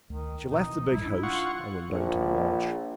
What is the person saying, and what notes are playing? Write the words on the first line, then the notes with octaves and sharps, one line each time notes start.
She left the big house and went down to the lodge.
D2 D#3
F2 B2 E3 D#4
A#1 D#2 G3 E4
D4
F4 F#5 C#6
A#1